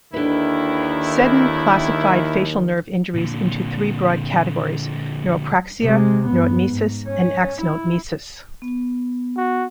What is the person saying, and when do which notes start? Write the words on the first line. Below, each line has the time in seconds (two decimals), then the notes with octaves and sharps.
Seddon classified facial nerve injuries into three broad categories: neuropraxia, neurotmesis, and axonotmesis.
0.14 D#2 D3 D#3 E4 B4
3.15 A#2 D3
5.82 C3 G#3
6.26 G2 B3
6.66 G#2
7.08 C#4
7.62 E4
8.62 B3
9.37 F#4